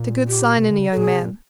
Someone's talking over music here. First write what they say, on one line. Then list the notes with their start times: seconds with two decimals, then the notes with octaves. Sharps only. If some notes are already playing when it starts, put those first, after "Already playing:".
It's a good sign in a young man.
Already playing: A#2
0.28 G4
0.57 C3
0.62 B2
0.70 D3
0.80 C#3
0.92 A4
0.97 A#2 G#4
1.05 B2
1.13 C3
1.22 A#2